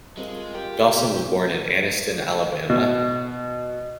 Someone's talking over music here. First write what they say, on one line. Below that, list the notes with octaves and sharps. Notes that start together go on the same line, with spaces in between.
Dawson was born in Anniston, Alabama.
G3 G#3 C4 F4 A#4
G4 A#4
B2
B2